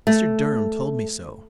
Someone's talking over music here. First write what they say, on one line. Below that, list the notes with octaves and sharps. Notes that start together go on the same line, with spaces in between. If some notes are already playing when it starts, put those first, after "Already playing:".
"Mr. Durham told me so."
A3